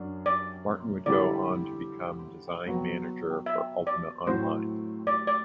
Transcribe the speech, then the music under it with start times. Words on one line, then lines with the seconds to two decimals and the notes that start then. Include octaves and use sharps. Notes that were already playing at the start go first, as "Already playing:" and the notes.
Martin would go on to become Design Manager for "Ultima Online".
Already playing: F#2 F#3 D4
0.26 D5
1.06 D3 G3 C4 E4 G4 D5
2.67 F#3 B3 F#4
3.46 E5
3.87 D5
4.27 A2 F#3 C4 F#4 C5
5.07 D5
5.27 D5